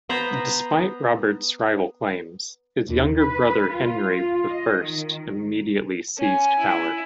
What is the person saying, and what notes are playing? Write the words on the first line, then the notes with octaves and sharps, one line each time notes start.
Despite Robert's rival claims, his younger brother Henry I immediately seized power.
B3 C5 A#5 B5
D#2
B4
F4
F4
D#5
D#3
C#4 G#5
E4